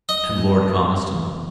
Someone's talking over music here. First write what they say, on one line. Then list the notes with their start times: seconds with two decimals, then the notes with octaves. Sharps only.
"And Lord Conniston?"
0.09 D#5